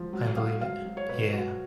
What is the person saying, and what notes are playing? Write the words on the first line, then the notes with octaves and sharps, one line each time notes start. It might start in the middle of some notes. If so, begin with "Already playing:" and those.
I believe it. Yeah.
Already playing: F3
F#3
F#3 F5
F#3 F5
F#3
C#5
B2 B4
F#3 F#4